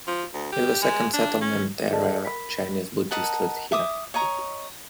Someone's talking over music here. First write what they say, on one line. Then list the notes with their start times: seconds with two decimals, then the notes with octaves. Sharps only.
In the second settlement era, Chinese Buddhists lived here.
0.07 F3
0.34 D2
0.52 G4
0.82 G#3
1.13 D4
1.41 C#4
1.91 G#4 A4 D5 D#5 A5
2.25 A#4 B5 B6
3.11 A#4 D#5 F#5 A5
3.72 E5 D6 D#6
4.14 C#5 D#5 A#5 C#6